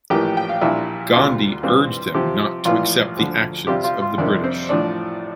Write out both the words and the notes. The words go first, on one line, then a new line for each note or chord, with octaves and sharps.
Gandhi urged them not to accept the actions of the British.
A#1 A2 E3 A#3 G4 G5
G5
F5
A#1 A#2 G3 D4 E4 F4 E5
D2 D3 G3 F4
G2 E3 G3 C4 F4
C3 F3 C4 G4
A#1 A2 E3 F4
D2 D3 F3
C3 G3 C4 F4 G4
F4
F4
F2 C3 G3 A#3 D4 D5
C4 C5
A1 A2 F3 D4 D5